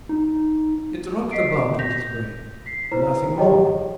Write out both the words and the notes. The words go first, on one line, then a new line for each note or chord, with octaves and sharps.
It rocked about in his brain--nothing more.
D#4
D#5 B6 C7 D7
G6 A#6 B6 F7
B6 C7
E4 B4 C5 A#5
G4 G#4 C#5 D#5 G5